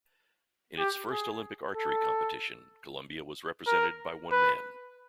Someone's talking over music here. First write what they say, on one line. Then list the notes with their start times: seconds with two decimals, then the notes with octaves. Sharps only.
In its first Olympic archery competition, Colombia was represented by one man.
0.79 G4
1.11 G#4
1.74 A4
3.67 A#4
4.31 B4